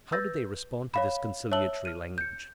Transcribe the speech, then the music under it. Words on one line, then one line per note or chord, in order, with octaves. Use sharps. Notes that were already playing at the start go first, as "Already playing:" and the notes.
How did they respond to this conciliatory language?
B4 E6 G6 A6 A#6
C#5 F5 B5
C#5 E5 A5 E6 F#7 G7
F6 D#7
G6 C#7